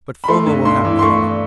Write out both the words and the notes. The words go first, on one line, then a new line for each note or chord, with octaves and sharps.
But Foma will have none of it.
B5
A3 C6
G2
G2 C6
E3
C6
A3 C#6